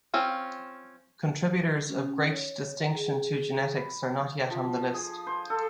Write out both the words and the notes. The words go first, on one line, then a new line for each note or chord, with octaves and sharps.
Contributors of great distinction to genetics are not yet on the list.
C4 C#4 F4
C#4
C#5
G#4
B5
F3
G#4
C5
A4